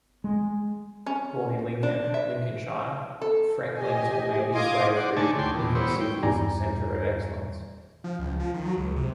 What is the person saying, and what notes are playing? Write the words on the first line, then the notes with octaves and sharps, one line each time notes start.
Born in Lincoln, Lincolnshire, Frecklington made his way through Lincoln City's Centre of Excellence.
G#3
C#4
D4
E5
A4
G4 D#5 G#5
D#5 F5 C6 D6 D#6 G#6
C5 D5 F#5
D3 A3 C#5 G#5 A5 D6
D2 G5 C6
E2 A#2
G3 B3 E4 C5 C#5
G5
E2 G2 G3 D5 G#5 A#5
F3
C#2
F3
D#3
F#3
C#2
C3